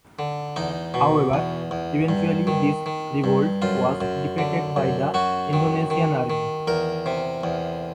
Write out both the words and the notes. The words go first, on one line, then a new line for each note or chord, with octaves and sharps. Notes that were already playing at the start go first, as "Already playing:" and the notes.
However, eventually this revolt was defeated by the Indonesian Army.
D3
E2 D#4
B2
E2
E2
G2
D#3
D#3
G2
F#2 F4
F#2
D3
F#2
F#2 F#4
D#3
D#3
D#3
E2 A#4
C3
E2